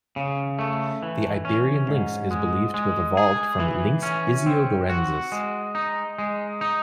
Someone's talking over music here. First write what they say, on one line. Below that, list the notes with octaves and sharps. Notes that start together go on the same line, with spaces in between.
The Iberian lynx is believed to have evolved from "Lynx issiodorensis".
C#3
A3
E3
C#4
G#2
G#3
G#3
G#4
E3
C#4
C4
F#4
G#3
D#4
G#3
D#4